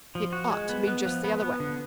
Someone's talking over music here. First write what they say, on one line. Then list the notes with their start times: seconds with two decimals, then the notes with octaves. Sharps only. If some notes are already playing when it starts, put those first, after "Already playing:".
It ought to be just the other way.
0.15 F3
0.33 F#4
0.51 G#3
0.69 B3
0.87 B3
1.06 F3
1.24 B3
1.42 B3
1.60 D3